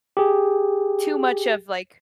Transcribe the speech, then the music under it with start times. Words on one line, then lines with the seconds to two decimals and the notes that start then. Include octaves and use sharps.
too much of, like,
0.17 G4 G#4